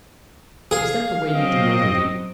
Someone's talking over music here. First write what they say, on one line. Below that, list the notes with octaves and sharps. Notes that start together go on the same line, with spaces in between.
Is that the way you do your duty?'
G#4 F5
F#3 C4 D#5